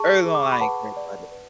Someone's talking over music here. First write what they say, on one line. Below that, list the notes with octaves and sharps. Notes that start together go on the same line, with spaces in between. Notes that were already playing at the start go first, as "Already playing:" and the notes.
early on, I ain't care about it.
Already playing: G#4 A5 C#6
G#4
D6
C#6
B5
B4 F#5 A5
D5
B4